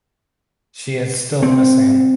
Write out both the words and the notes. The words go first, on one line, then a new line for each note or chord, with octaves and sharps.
She is still missing.
C4